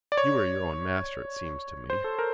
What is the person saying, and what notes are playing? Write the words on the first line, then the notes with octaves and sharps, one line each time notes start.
You are your own master, it seems to me.
D5
C#5
C5
A4
A#4